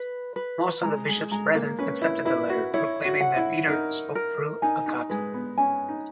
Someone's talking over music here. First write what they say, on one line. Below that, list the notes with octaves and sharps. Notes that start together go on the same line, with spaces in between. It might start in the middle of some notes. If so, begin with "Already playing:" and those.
Most of the bishops present accepted the letter, proclaiming that Peter spoke through Agatho.
Already playing: B4
B4
G#3 A#5
G#3
G#3 A#5
A#3
C#4 B4
E4
E4 B4
F#4
E4 C#5
F#4
F#5
E4
D#4 A#4
A#4
D#4 G#5
D#4
G#3 B4
B3
C#4 G#5
D#4